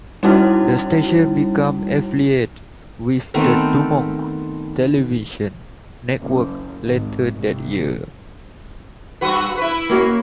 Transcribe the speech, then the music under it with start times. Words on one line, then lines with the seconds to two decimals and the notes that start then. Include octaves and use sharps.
The station became affiliated with the DuMont Television Network later that year.
0.23 G3 C#4 D#4 E4 F#4
3.34 D#3 A3 B3 C4
6.20 F#1
6.84 G#1
7.34 C2
9.21 G2 F#4 B4
9.57 E4 B4
9.89 A#3 C#4 F#4